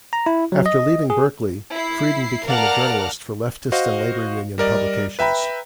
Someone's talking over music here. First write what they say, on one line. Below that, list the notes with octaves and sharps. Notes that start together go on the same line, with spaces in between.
After leaving Berkeley, Friedan became a journalist for leftist and labor union publications.
A#5
E4
F#3
D#5
G#4
E4 C7
A#4 D5 F5 F#5 A5 F6
F#4 C5 D#5 F5
G3 A#4 D5 D#5
B4 E5 G5 A#5 B5